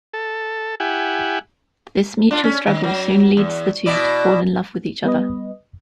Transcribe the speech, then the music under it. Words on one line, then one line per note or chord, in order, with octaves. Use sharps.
This mutual struggle soon leads the two to fall in love with each other.
A4
E4 G4 F#5 G#5
D4 F4
C#4
D#3
F#3
E2
B2 E4 D5
G3 B3 B4 D#5